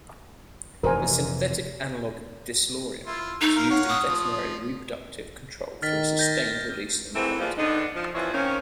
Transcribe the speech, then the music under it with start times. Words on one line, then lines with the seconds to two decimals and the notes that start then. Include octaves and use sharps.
The synthetic analogue Deslorelin is used in veterinary reproductive control through a sustained-release implant.
0.83 F1 C3 E3 A#4 C5 G#5
3.06 E4 F4
3.41 A3 D#4
3.56 A#4 F5
3.71 C#5 F5 F#5
3.89 D#6
4.07 F3
5.82 D#3 F6 A6 B6
6.19 G6 A#6
7.15 G#2 E3 A3 A#3 C4
7.39 E3 F3 G3 G#3 A#3 C5
7.58 D3 D#3 B3 D4 D#4
7.95 F3
8.15 E3 F3 G3 C4 E4 C#5
8.33 D#3 A#3 C4 C#4